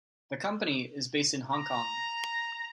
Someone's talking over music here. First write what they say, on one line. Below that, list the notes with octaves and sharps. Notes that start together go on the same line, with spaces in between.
The company is based in Hong Kong.
A#5